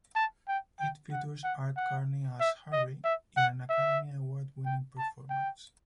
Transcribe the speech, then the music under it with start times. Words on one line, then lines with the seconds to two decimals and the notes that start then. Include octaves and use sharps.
It features Art Carney as Harry in an Academy Award-winning performance.
0.16 A5
0.48 G5
0.80 G5
1.12 F#5
1.44 F#5
1.77 F#5
2.40 E5
2.73 D#5
3.04 E5
3.37 F#5
3.70 E5
4.66 G5
4.98 A5
5.30 G5